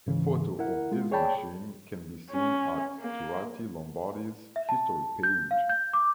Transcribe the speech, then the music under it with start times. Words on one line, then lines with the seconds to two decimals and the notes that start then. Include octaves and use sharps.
A photo of this machine can be seen at Turati Lombardi's history page.
0.07 G#2 C#3 E3
0.59 E4 A#4 F#5
0.92 G#3 F4
1.11 G#4 C#5 D5 G5 A5 B5
2.30 C#4
3.00 A#3
4.56 E5
4.69 A5
5.23 G6
5.51 F5
5.69 G6
5.93 D6